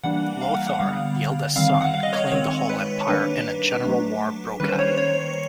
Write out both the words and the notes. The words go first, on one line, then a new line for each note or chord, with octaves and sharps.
Lothar, the eldest son, claimed the whole empire and a general war broke out.
E3 G3 A#3 D4 F#5
F5
F#5
F#5
D3 G3 B3 F5
D#3 G3 C4 F5
F5
F#5
F5
D#5
C#5
D#3 G#3 C4 C#5
B4
D#3 G3 A#3 D4 B4
F#3 A3 D4
D#3 G3 A#3 C#4 B4
C5
C#5
C#5